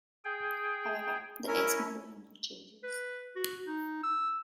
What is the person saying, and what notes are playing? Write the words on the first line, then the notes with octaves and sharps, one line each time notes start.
However, the S model had no changes.
G#4 G5
C#4 E4 A#4
B4
F#4
D#4
E6